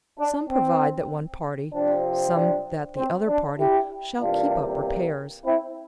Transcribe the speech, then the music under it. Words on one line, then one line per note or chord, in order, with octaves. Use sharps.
Some provide that one party, some that the other party, shall keep up repairs.
D4
C4
C3 F3 C4 D4
D4
C4
D4
E4 G4
E2 C3 G3 A#3 D4 F4
C4 E4